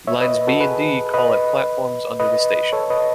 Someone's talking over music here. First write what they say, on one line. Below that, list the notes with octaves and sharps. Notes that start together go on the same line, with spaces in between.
Lines B and D call at platforms under the station.
C#5 E5
B4 D#5
F#4 A4
G#4 B4
B4 D#5
B4 D#5
A4 C#5
B4 D#5